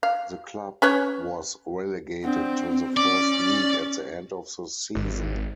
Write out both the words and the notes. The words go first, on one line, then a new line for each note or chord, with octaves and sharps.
The club was relegated to the First League at the end of the season.
F5
C#4 B4 C#5
C4 D4 F#5
C#4 D5 D6
G#1